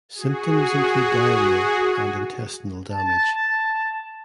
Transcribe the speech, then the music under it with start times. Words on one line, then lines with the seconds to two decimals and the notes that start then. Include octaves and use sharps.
Symptoms include diarrhea and intestinal damage.
0.14 F#4 G#4
2.91 A5